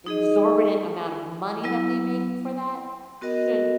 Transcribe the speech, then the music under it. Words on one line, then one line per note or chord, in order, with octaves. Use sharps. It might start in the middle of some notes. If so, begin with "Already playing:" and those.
exorbitant amount of money that they make for that should
D#4 G#4 D#5
F#3 B3 E4
B3 F#4 A#4 D#5